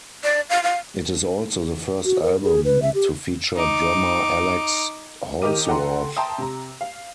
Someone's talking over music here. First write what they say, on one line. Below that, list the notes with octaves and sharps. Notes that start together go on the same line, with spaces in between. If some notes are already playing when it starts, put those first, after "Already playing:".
It is also the first album to feature drummer Alex Holzwarth.
D5
F5
F5
F#4
A#4
G#4
B4
E5
G4
D#4 D6
D#2 G4 A#4 D#5 D6 D#7
A4 F#5 G5 A#5 C6
E5 G5 A5 A#5 C6 D#6
C3 A#5
F5